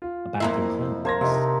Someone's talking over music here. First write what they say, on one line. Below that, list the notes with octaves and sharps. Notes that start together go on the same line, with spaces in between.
a bathroom cleanliness?
F4
F2 A#3 E4 C5
A#4 C5 F5 A5 G#6 A#6
C3 D#4 E5 F5